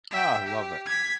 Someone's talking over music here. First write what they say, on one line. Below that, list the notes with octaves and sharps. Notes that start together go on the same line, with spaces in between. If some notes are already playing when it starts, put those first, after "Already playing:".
Ah, love it.
E5 G5
G4
G#6 B6